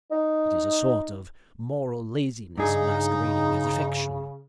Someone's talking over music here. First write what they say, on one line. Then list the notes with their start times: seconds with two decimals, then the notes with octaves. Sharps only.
It is a sort of moral laziness masquerading as affection....
0.12 D#4
2.58 G2 C#3 D#4 G#4